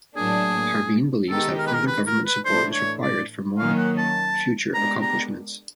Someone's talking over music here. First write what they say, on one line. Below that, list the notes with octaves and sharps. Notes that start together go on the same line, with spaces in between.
Parveen believes that further government support is required for more future accomplishments.
A2 F#3 A#3 D4 G#4
D#3 G#3 B3 D#4 G4 A4
A#4
B4
A#4
B4
A#4
B4
A2 E3 A3 D4 C5
C#5
D5
D#3 F#3 A#3 C#4 F5
F#5
A5
G#3 B3 D4 G4 A#4 A#5
A#5